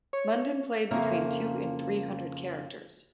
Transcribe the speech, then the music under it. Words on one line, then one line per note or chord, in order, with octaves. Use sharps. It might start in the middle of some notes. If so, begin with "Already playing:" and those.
Munden played between two and three hundred characters.
C#5
F2 C#3 A#3 A#4 E5